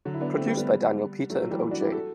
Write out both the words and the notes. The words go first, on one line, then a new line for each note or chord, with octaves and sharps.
Produced by Daniel Peter and O-Jay.
D3 F#3
E4
B3 D4
A3 C4
G3 B3
G3 B3
F#3 A3
F#3 A3
E3 G3
E3 G3
D4 F#4
E4 G4
F#4 A4